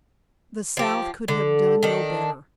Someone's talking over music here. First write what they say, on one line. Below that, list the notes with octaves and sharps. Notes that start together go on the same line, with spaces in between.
The South could have done no better.
F3 G4
D3
D#3 D4